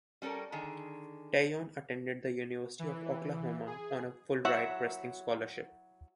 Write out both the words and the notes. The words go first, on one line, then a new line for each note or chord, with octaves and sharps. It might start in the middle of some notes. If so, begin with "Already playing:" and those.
Teyon attended the University of Oklahoma on a full ride wrestling scholarship.
G3 C#4 A4 A#4
D3 D#3 G#4
E3
G#4
F#3 E4 E5 F#5